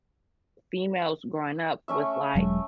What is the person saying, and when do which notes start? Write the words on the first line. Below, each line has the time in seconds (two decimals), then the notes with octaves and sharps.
females growing up with, like,
1.88 A3 C#4 E5
2.35 E1 F#3 G#3